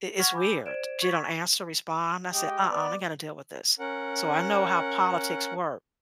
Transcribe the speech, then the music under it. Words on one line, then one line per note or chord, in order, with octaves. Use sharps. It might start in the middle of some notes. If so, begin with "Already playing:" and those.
it it's weird. She don't answer, respond. I said, "Uh-uh, not gonna deal with this." So I know how politics work.
F#5 C#6 F6 G#6 A#6 B6
G#5 B5 D6 E6 G6
C5 D5 G#6 D7 E7
C#6 G#6 A6 B6
G#3 G4 D#5 G5
B3 D5
C#4 A#4 F#5